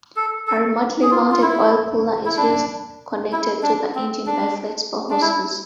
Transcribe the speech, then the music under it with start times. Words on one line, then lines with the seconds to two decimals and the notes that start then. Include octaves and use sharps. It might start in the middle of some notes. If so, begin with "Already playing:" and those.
A remotely mounted oil cooler is used, connected to the engine by flexible hoses.
0.16 A4
0.47 A4
1.02 G#4
1.11 F4
1.31 F4
1.42 E4
2.26 E4
2.37 D4
3.32 E4
3.63 D4
3.95 C4
4.26 D4
5.10 D4
5.21 E4